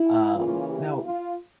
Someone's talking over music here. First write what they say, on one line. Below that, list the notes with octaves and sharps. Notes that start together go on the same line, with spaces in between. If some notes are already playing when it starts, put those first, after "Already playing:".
um, now,
Already playing: E4
C#3 E3 A#3 C#4 F4
E4 G4
F4